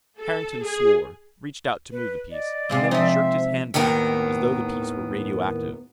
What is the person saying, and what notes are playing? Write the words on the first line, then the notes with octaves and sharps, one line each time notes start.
Harrington swore, reached out to move a piece, and then jerked his hand back as though the piece were radioactive.
A4
G#4
B4
D5 D#5
C3 G#3 C4 F5
F3 C4 D#4 E5
D#2 A2 D#3 B3 A#4